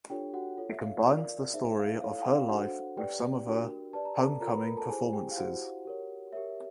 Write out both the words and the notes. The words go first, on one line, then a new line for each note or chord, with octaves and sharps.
It combines the story of her life with some of her Homecoming performances.
D4 F4 G4 A4 C#5 G5
F#4 F#5
F4 A4 C#5
E5
F5
F4 A#4 D5
D#4 G#4 C5 E5
F5
E4 A4 C#5 F5
F5
F5
G5
D4 F#4 A4 C5 F#5
G4 B4 D5 G5
D4 F#4 A#4
G4 B4 D5 A5
A#5
A4 A5
F4 A4 A#4 C#5 A#5
B4 B5
A#4 A#5
A4 A5
E4 G4 G#4 C5 G#5
G4 G5
F5
E4 F#4 G4 C5 F#5
G4 A#4 C#5
G4 A#4 C#5 E5